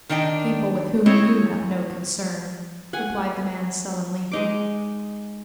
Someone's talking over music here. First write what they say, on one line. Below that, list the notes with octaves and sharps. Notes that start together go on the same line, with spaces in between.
"People with whom you have no concern," replied the man sullenly.
D#3 D4 D#5 G5
C4 E4 C#5 D#5
F#5 G#5
G#3 D#4 D6